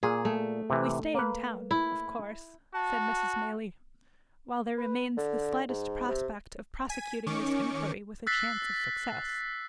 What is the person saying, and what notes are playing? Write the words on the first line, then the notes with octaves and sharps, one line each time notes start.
'We stay in town, of course,' said Mrs. Maylie, 'while there remains the slightest prospect of prosecuting this inquiry with a chance of success.
A#2 G#4
A3
C3 E3
A#3 B4
E4
F#4 A5
B4
D3
G#2
C3
G#5 B6 D#7
D#3 C#4 C#6 D6
E6 F#6 A6 B6 C7